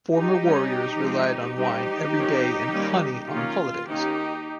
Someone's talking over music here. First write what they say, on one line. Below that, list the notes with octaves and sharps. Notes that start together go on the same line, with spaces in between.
Former warriors relied on wine every day and honey on holidays.
D#4 G4
G3 C#4
F3 G#3 C4
G3 C4 D#4 G4
F3 A#3 C#4
D#3 G3 A#3 C#4
D#3 A#3 C#4 F4
D#3 A#3 C#4 D#4 G4